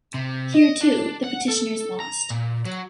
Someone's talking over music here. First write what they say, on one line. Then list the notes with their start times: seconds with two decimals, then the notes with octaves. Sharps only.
Here too, the petitioners lost.
0.14 C3
0.54 D#5
0.81 D4
1.24 F#5
1.48 A4
2.00 A#5
2.30 A#2
2.65 F#3